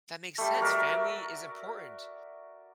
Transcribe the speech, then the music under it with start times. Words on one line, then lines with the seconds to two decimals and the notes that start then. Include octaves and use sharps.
that makes sense. Family is important.
0.38 G3 A3
0.61 F#4 A#4 D5 E5